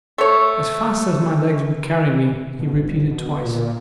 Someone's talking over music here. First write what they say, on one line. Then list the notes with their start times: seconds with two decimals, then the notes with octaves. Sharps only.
"As fast as my legs would carry me," he repeated twice.
0.18 A3 C#5
2.59 B2
2.73 G1
3.11 B2
3.45 A#2